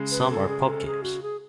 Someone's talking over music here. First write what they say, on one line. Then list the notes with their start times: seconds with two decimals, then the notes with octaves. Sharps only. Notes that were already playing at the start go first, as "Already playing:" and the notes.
Some are pub games.
Already playing: C#3 G#3
0.11 B4
0.30 A4
0.48 G#4
0.67 A4
0.86 G#4
1.03 F#4
1.22 G#4